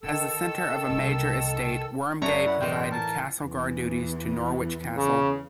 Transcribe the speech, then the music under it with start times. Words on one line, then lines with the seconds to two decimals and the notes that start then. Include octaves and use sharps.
As the centre of a major estate, Wormegay provided castle-guard duties to Norwich Castle.
0.03 D3 D#3 A4 E6
0.90 C2 A#3
2.22 F#2 D4 C#5 D5 E5 A#5
2.46 E4 F#5
2.61 A2 E3 G#3 G5
2.92 A#4 A5
3.40 E2 E3
4.97 C#3